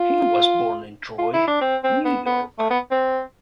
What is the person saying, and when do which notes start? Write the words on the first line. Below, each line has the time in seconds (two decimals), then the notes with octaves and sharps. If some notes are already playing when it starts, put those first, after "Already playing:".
He was born in Troy, New York.
Already playing: F4
1.19 F4
1.34 E4
1.48 D4
1.61 C4
1.84 C4
2.05 B3
2.26 B3
2.59 A3
2.71 B3
2.91 C4